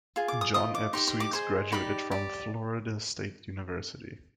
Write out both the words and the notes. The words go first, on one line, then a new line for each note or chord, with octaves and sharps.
John F. Sweets graduated from Florida State University.
F4 G#4
D6
D#6
F4 C5 D#5 D#6
D6
D#4 G4 C5 C6
C6
D6
G#4 C5 D#5 C6
D#4 G4 D5 B5
G4 D5